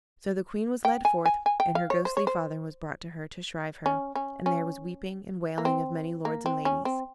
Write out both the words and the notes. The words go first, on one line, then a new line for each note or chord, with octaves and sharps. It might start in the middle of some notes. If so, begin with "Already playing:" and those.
So the queen was led forth, and her ghostly father was brought to her to shrive her, and there was weeping and wailing of many lords and ladies.
G5
G#5
G#5
G#5
G5
F5
C#5
C5
C#5
C5
C#4
C#4
C#4
A#3
C4
A#3
C4
C#4
C4